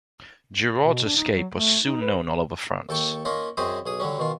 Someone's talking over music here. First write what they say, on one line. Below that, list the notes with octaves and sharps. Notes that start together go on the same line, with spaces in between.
Giraud's escape was soon known all over France.
B2
D4
D#4
F#3
A3
D#4
B4
D#2 A4 G5 C#6
A#3 C#4 D#4 F4 A#4
F#2 C4 C#4 G#4 C5 D#5
B1 G#4 D#6
D3 F#3 G3 C#4
B2 D#3 F4